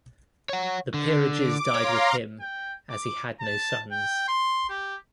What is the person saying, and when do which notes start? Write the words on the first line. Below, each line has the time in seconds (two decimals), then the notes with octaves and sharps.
The peerages died with him as he had no sons.
0.49 C#5 F#5
0.94 D3
1.33 D6
1.75 C#5 F5 A#5 C6
2.40 G5
2.90 D6
3.41 A5
3.92 G5
4.28 C6
4.69 G4